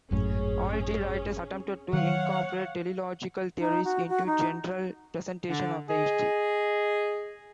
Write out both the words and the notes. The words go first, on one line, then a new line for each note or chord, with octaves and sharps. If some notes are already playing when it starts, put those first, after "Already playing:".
All three writers attempted to incorporate teleological theories into general presentations of the history.
G#1 F#2 A2 C#4 G#4
D#3 F#3 C#5 F5 F#5
D#4
F#4
F#4
D#4
D3 D4
G#4 D#5